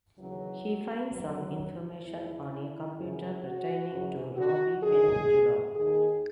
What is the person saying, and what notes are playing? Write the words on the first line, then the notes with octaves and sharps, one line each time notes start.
He finds some information on a computer pertaining to Rabbi Ben-Judah.
D#2 C#3 E3 F#3
D#2 D#3 F#3
E2 B2 E4
F#2 C#3 E3
F#4
F#2 C#3 E3
F#4
F#2 D#3 G#4
D#2 D#3 G#4